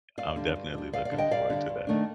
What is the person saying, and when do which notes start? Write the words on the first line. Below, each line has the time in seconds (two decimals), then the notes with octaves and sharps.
I'm definitely looking forward to that.
0.17 G2 D5 F5
0.36 D3 G3
0.56 G2
0.74 D3 G3
0.93 G2 D5 F5
1.05 D5 F5
1.11 D3
1.16 G3 D#5 G5
1.31 G2 D5 F5
1.50 D3 G3
1.69 G2
1.87 D#3 A3 D4